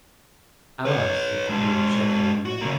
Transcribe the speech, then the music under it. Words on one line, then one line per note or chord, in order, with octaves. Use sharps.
"Allies!" said the queen, shaking her head.
B4 C#5
G#3 D4
F#4
C#3 A#3